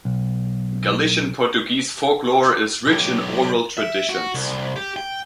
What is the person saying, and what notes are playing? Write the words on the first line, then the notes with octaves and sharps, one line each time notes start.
Galician-Portuguese folklore is rich in oral traditions.
B1
B1 G4
E5
F#4
C2
G4
G5